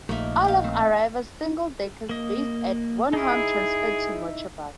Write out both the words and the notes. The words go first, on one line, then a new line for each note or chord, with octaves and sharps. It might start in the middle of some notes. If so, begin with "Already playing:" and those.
All of Arriva's single deckers based at Warnham transferred to Metrobus.
A#1 A3 A#3 D#4 E5
F5 G5
A3 C4
A#3 D#5
D#4 E4 G#4